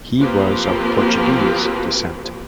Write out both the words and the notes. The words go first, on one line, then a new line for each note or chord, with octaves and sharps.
He was of Portuguese descent.
F3 A#3 C4 F4 G4 B4